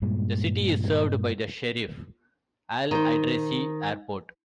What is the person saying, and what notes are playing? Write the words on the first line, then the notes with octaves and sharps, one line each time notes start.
The city is served by the Cherif Al Idrissi Airport.
G2 A#2 G#3
D#3 C5